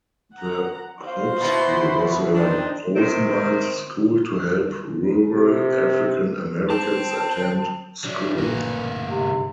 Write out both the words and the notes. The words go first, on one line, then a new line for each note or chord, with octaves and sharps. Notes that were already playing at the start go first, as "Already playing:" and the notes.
The Hope School was a Rosenwald School to help rural African-Americans attend school.
F#5 A#5
B3 F#4 C5 F5
B2 E4 B5
C4 D4 D#4
C3 D#3 C4
C3
C4 A5
F#3 D4
A#1 G2 D3 E3 A#3 A#4
G#2 C3